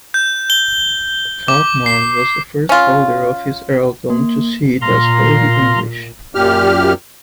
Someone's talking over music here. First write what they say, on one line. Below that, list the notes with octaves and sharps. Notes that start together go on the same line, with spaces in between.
Albemarle was the first holder of his earldom to see it as wholly English.
G6
G7
D6
C7
C#4 F4
A#3
A#2 F5 A#5 C6
F#2 A#2 G4 F6